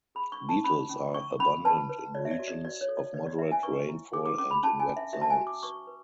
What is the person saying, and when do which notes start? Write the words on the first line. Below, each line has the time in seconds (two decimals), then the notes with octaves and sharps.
Beetles are abundant in regions of moderate rainfall and in wet zones.
0.15 G#4 B5
0.32 C#6
0.40 C#4
0.49 A5
0.64 C#4 B5
0.89 C#4
1.14 C#4 C#6
1.40 C#4 B5
1.65 B4 A5
1.89 B4
2.15 C#5 D5
2.25 E5
2.31 D5
2.40 F#4
2.48 D5
2.65 F#4 D5
2.81 C#5
2.89 A4
2.97 D5
3.14 B4 D5
3.27 D5
3.39 B4 E5
3.52 G#5
3.63 B4 C#6
3.89 E4
4.13 G#4 D6
4.26 D6
4.38 C#4 D6
4.51 B5
4.63 C#4 A5
4.80 G#5
4.88 C#4
4.97 E5
5.13 F#4 E5
5.22 A5
5.30 G#5
5.38 F#4
5.47 D6
5.63 B4 C#6
5.87 B4